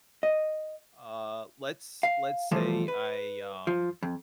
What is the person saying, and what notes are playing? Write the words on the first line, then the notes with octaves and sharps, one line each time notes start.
uh, let's let's say I, um
D#5
F5
E3 F3 G3 A3 F4
B4
F3
F2